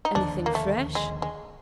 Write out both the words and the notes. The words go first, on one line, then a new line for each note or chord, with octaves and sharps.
Anything fresh?'
D#4
E1 D#2 D3 F3 D4
A#3
A3
G#3
G#3